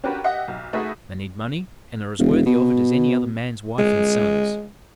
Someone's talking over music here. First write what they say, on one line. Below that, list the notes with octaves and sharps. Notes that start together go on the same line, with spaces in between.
They need money and are as worthy of it as any other man's wife and sons.'
C#4 D4 F#4 G4 A#4 B4
G4 D#5 E5 F#5
B1
A3 D#4 F#4 G#4 B4 E5
E1
B2
G#3